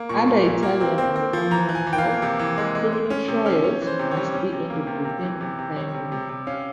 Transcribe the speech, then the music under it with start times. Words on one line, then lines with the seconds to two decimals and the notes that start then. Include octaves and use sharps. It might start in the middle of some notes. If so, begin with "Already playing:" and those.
Under Italian and Romanian law, criminal trials must be ended within a time limit.
Already playing: A#3
0.09 A#2 C#6
0.27 A#2
0.45 A#2
0.63 A#3
0.81 C4
0.98 C4
1.16 C4
1.33 F3
1.51 E3 A#5
1.69 E3
1.75 G#5
1.87 E3
1.93 G5
1.98 F5
2.04 A#3
2.22 C3
2.40 E3
2.58 G#3
2.75 G#3
2.93 G#3
3.10 C#4
3.28 C3
3.46 C#4
3.64 C#4 C#5
3.82 E3
3.87 C5
3.99 C3
4.11 C#5
4.17 G3
4.34 C#4
4.53 C3
4.70 A#3
4.87 C3
5.05 C3
5.23 E3
5.41 C3
5.59 C3
5.76 G3 C#5
5.94 C3
6.12 C3
6.29 C3
6.47 C#4 F5